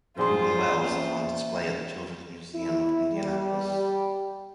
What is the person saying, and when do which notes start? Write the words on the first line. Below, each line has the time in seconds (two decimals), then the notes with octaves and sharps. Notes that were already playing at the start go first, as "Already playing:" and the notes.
The "Reuben Wells" is on display at the Children's Museum of Indianapolis.
0.18 A#1 F4 G#4 C5 C6
0.83 A#3 C#4 E5
2.55 E4
3.14 G3